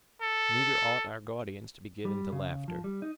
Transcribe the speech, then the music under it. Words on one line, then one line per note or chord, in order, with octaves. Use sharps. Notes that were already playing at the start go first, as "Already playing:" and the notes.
Neither ought our guardians to be given to laughter.
A4
G3
C#3
F3
G3
D#4